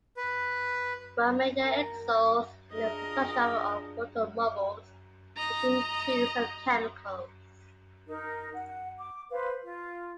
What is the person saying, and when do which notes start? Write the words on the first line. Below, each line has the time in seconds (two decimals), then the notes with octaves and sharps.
Romania excels in the production of automobiles, machine tools, and chemicals.
0.17 B4
1.63 A#4
2.73 D4 F4 G#4 A#4 D#5
5.36 D#5 A#5
8.08 D#4 A#4
8.54 F#5
8.98 D6
9.31 B4 C5 F5
9.64 F4